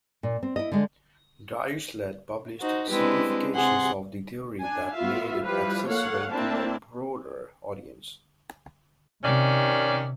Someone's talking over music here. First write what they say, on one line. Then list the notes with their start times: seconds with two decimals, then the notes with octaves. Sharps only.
Dirichlet published simplifications of the theory that made it accessible to a broader audience.
0.23 A#2
0.43 C4
0.56 E4 D#5
0.72 D3 G#3
2.60 D#4 F#4 C5
2.90 G#3 C4 D4 E4 G4 B4
3.55 C3 G#4 F#5 C6
4.62 D4 G#5
4.95 B3 F4 F#4 E5 F5
5.44 F3 G3 E4 G4 B4 F5
5.86 A#3 A4 C#5 F5 F#5
6.31 A#3 C4 D4 E4 A5
9.24 C3 D#3 C#4 D5